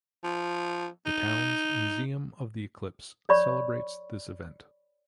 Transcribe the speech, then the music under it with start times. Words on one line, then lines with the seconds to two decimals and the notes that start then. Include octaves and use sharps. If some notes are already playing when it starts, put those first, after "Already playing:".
The town's "Museum of the Eclipse" celebrates this event.
0.24 F3
1.06 D#4
3.29 C#5 D5 B5 C#6